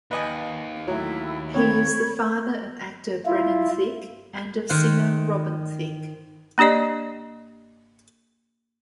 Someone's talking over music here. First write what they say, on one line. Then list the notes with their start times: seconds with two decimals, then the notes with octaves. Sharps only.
He is the father of actor Brennan Thicke, and of singer Robin Thicke.
0.11 D#2 B4 D#5 G#5
0.88 F#3 A3 E4 C#5
1.54 C4 D4 C#5 B5 C#6 G#6
3.26 E4 F4
4.69 D#3 C5 F#5
6.58 A#3 D4 G4 D5 D#5